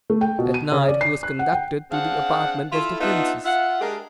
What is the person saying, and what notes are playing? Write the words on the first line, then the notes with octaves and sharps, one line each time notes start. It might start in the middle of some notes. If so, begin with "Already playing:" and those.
At night he was conducted to the apartment of the princess.
A3
G5
B2
D#7
C#3
D5
C7
F#6
F#5
G5
C4 D4 G#4 F5 F#5
E4 F4 A4
B3 D4 D#4 F4 E5 F#5
F4 E5 F#5
G#3 D4 G4 A#4